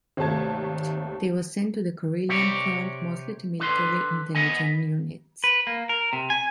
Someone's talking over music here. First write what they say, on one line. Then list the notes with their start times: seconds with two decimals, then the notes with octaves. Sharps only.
They were sent to the Karelian front, mostly to military intelligence units.
0.17 G#1 D#2 C3 A3 A5 G#6
2.29 C3 G4 C#5 D5
3.60 D3 B4 C6
4.35 B3 D#5 G#5
5.44 B4
5.67 A#3
5.89 A#4
6.13 C3
6.30 G#5